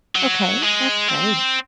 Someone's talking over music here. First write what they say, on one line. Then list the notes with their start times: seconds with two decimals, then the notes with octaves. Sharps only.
Okay, that's great.
0.16 F#3
0.63 G#3
1.08 C4